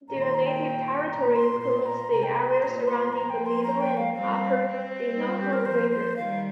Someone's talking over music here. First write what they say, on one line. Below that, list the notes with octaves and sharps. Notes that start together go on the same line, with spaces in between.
Their native territory includes the area surrounding the middle and upper Innoko River.
A#2 D#3 A#5
C6
A#5
G5
A#2 A#5
C6
A#2 C6
A#5
C3 A#5
G5
A#5
C6
A#2 A#5
C6
F3 A#3 A#5
G5
C6
A#5
G5
F5
G3 C4 F5
G3 C4
D#4
F4
G4
A#4
F3 A#3 C5
C5
D#3 G3 F5